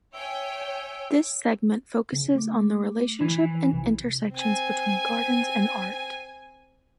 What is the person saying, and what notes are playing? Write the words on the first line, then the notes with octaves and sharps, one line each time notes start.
This segment focuses on the relationship and intersections between gardens and art.
C#5 E5 G5 G#5
C#3
A3 D6
E3 F3 G#6 C7
B1 C3
C4 G#5